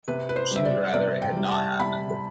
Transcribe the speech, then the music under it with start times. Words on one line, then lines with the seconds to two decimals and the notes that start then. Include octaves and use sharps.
She would rather it had not happened.
0.08 C3 B4
0.29 B4
0.36 C5
0.51 G3 E5
0.65 D5
0.94 C3 D5
1.22 G5
1.37 G3
1.52 A5
1.80 C3 B5